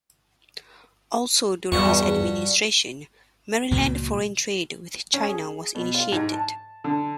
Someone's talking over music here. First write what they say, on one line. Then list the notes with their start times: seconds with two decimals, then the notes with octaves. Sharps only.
Also during his administration, Maryland foreign trade with China was initiated.
1.72 E2 G2 F#4 C#6
3.71 C#2 A#2 C#3 F#3
5.14 C#4
5.29 G#4
5.75 B2
5.94 F4
6.12 G#2
6.33 A5
6.84 D3